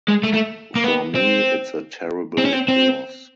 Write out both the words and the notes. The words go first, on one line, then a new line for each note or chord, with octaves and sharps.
For me, it's a terrible loss.
G#3
A3
A3
A#3
B3
C4
C4
C#4
C4
C4